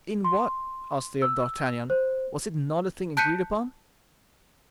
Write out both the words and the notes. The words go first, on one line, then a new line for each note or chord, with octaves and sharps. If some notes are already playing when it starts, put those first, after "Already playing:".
"In what?" asked they of D'Artagnan; "was it not a thing agreed upon?"
C6
E6
C5
A5 F#6 G6 B6 C#7 D#7